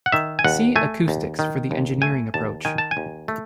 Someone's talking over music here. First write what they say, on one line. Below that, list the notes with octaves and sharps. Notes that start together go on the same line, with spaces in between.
See acoustics for the engineering approach.
F#5
D#3 E5
G#5
D#2 F#5
A3 G#5
D#2
D#3
D#2
A3 G#5
D#2 A5
D#3 G#5
A5
G#5
D#2
A3